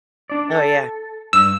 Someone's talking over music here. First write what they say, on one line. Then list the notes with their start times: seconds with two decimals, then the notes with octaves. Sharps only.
Oh, yeah.
0.30 D4 D5
0.50 A4
1.33 G2 E6